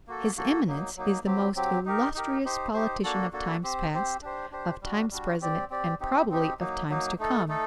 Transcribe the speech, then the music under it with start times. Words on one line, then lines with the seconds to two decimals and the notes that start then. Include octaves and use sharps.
His Eminence is the most illustrious politician of times past, of times present, and probably of times to come.
0.07 A#3 F#4 A4
0.37 A#3 F#4 A4
0.67 F#3 A#3 D#4
0.96 F#3 A#3 D#4
1.25 F#3 C4 G4
1.56 F#3 C4 G4
1.86 D#4 G4 A#4
2.14 D#4 G4 A#4
2.44 D#4 G4 C5
2.74 D#4 G4 C5
3.03 A#3 D4 F#4 A4
3.33 A#3 D4 F#4 A4
3.63 C4 G4 C5
3.93 C4 G4 C5
4.22 D4 G4 C5
4.51 D4 G4 C5
4.82 G3 D4 F#4
5.11 G3 D4 F#4
5.41 C4 G4 D5
5.70 C4 G4 D5
6.00 C4 D#4 G4
6.30 C4 D#4 G4
6.60 F#3 A#3 D#4
6.89 F#3 A#3 D#4
7.19 A3 D#4 A4
7.48 A3 D#4 A4